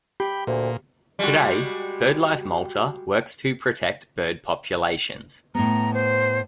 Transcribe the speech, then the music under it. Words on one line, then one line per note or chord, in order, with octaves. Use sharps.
Today Birdlife Malta works to protect bird populations.
G4 G5 B5
D2 A#2
G3 G#3 F#4
A2 B3 A#5
C5